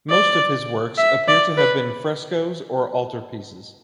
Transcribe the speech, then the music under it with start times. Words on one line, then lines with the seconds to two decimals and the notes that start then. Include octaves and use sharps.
Most of his works appear to have been frescoes or altarpieces.
0.10 D5
0.98 E5
1.28 D5
1.57 B4